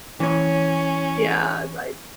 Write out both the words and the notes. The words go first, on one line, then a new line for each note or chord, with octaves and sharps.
yeah, like
E3 C#4 C#5